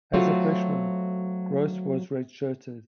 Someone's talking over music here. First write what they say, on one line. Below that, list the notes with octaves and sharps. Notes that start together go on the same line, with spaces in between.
As a freshman, Groce was redshirted.
F#3 A3 C4 F4 F#4